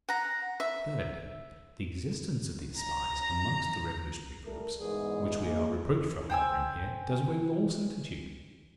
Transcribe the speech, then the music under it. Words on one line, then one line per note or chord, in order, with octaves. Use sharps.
Thirdly, the existence of these spies amongst the revolutionary groups, which we are reproached for harbouring here, does away with all certitude.
F#5 A#5
E5
A#5
G3 A3 A#4
E2 G#2 G#4
A#3 D#4 G#4
C5 G5 G#5 E6